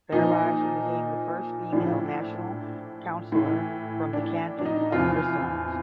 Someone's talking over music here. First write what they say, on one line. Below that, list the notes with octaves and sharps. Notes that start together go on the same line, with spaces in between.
Thereby she became the first female National Councillor from the canton of Grisons.
A#2 F3 D#4
A2 F3 D4
A2 E3
D4
D4
D#4
E2 C3 F3 F4